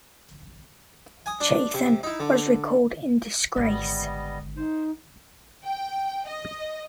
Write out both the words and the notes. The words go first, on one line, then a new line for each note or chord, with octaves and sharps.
Chatham was recalled in disgrace.
G#5 D#6
D4
C3
D#4 E4
D3
G#1 D3 G3 B3 D#5
D#4 C5
G5
D#5